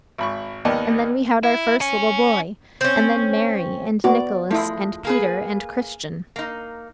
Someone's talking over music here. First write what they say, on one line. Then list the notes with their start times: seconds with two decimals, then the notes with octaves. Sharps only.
And then we had our first little boy, and then Mary, and Nicholas, and Peter, and Christian.'
0.18 G#1 B5 C#6
0.65 D#2 D#3 B3 D5 D#5
1.43 E4
1.81 C#4
2.81 C4 C#4
4.04 B3 F#4 D5
4.50 F3 G#3 A3 E4 E5
5.05 A#3 G#4 B4
6.36 A#3 D#4